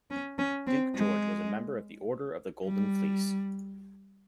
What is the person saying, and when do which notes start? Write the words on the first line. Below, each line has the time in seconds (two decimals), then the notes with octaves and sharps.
Duke George was a member of the Order of the Golden Fleece.
0.11 C#4
0.38 C#4
0.67 C4
0.96 G#3
2.65 G3